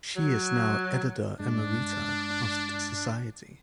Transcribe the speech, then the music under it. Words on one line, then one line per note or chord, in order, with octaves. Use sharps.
She is now Editor Emerita of the Society.
F#3
G2 G#3 D4